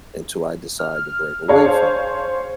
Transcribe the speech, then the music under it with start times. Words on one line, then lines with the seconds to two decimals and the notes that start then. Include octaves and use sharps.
until I decide to break away from it.
0.79 F6
1.48 D4 G#4 C#5 F5
1.65 C5